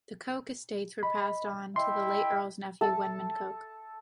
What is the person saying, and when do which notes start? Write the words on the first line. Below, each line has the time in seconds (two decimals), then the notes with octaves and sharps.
The Coke estates were passed on to the late Earl's nephew Wenman Coke.
1.03 D#5 B5
1.76 E4 D#5 E5 G5 C6
2.81 A4